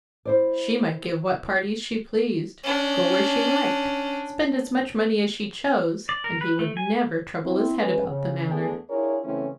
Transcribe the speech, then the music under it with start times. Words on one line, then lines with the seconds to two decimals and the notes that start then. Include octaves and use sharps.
She might give what parties she pleased, go where she liked, spend as much money as she chose, and he would never, trouble his head about the matter.
0.25 E4 C5 D5
2.63 C#4 D4
6.09 D5
6.24 A#4
6.41 B4
6.59 A3
6.77 G#5
7.44 C4 E4
7.79 G#3 C#4 G#4 B4
8.08 C#3
8.48 E2 A3 B3 D4 G#4
8.90 D4 E4 F4 G#4 A#4 C#5
9.24 C#3 E3 A3 C4 C#4 E4